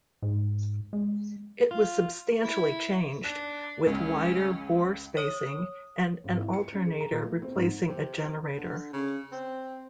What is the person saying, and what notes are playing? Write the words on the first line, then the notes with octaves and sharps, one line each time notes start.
It was substantially changed, with wider bore spacing and an alternator replacing a generator.
G#2
G#3
F4
E4
D4 F#6
C#2 C#4
C#5 D#6
G#1
E4
C#7
C#4
G#4
A#5
A#2
A3
C4
G#2
C3
D3
C#3
C4